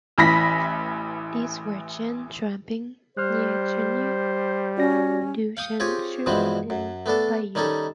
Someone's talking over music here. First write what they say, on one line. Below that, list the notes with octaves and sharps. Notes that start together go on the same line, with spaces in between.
These were Chen Chuanping, Nie Chunyu, Du Shanxue, and Bai Yun.
A1 E3 B5 A#6 B6
G3 C5 F6 F#6
C#4 F#4 D5 A#6
F5 G5 D#6
C4 F4 G4 G#4 C#5
G2 B2 E3 F3 G#3 C4
F#2
A3 B3 D4 A4
D#3 G3 C#4 D#4 A4